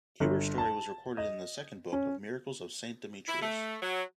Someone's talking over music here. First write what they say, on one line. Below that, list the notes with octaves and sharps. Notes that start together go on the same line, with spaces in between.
Kuber's story was recorded in the second book of the "Miracles of Saint Demetrius".
G1
A5
D#5
C#4
E4
A3
F#3